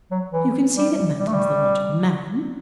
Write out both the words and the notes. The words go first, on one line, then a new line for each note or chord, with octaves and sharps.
"You can see that Manton's the logical man?"
F#3
E3
G3
G3
A3
G3